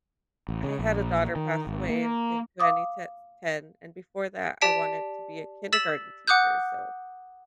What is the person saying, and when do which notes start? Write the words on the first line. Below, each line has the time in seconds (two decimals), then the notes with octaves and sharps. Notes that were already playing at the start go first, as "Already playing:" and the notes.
I had a daughter pass away in in twenty t ten and before that, I wanted to be a kindergarten teacher, so
0.49 A1
0.63 C#3
0.79 A#1
1.36 D#3
1.67 G#1
1.89 A#3
2.60 F5 D6 D#6
4.61 G4 D5 A5 B6 D7
5.73 E6 A6 B6 E7 F#7
6.27 F#5 D6 D#6 F#6 G6